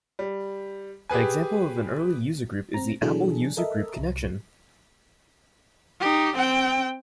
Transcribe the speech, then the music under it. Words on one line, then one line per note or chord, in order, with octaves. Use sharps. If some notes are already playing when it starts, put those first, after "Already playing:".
An example of an early user group is the Apple User Group Connection.
G3
G4 G#4 B4 G#5
C4 A#5
B2 E3 F#3 D4 G#4 A4
A4 A#4 D#5 E5
C2
D#4 G4
C4 G5